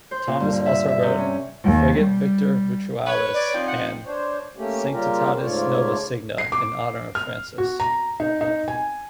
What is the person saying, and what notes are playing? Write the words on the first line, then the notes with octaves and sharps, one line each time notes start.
Thomas also wrote "Fregit victor virtualis" and "Sanctitatis nova signa" in honor of Francis.
C5
A#2
G2
D3
E5
E5
C3
C#4
D#2
G3
B4 C#5
D5
F3 C4 D#4
F#5
D4 C5 C#5
A3 A#3 C#4 G4
C#3 G3 A#3 F4 G4 A#4
G#2 C#3 A3 F4 C#5 D5
C7
D6
F6
F#4
A#5
D#4
D#4
G#5